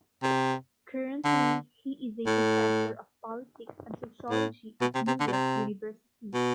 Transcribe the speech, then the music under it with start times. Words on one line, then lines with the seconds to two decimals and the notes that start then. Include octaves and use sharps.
Currently he is a professor of politics and sociology at New York University.
0.23 C3
1.24 D3
2.26 A2
4.30 A2
4.81 B2
4.95 C3
5.07 C3
5.20 D3
5.27 B2
5.32 C3
6.34 B2